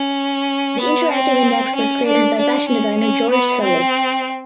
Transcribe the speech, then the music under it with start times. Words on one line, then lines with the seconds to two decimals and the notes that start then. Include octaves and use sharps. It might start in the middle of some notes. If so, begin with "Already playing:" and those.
The interactive index was created by fashion designer George Sully.
Already playing: C#4
0.81 B3
1.12 C4
1.75 C#4
2.07 D4
2.38 D4
2.68 C#4
3.00 C#4
3.31 B3
3.62 C4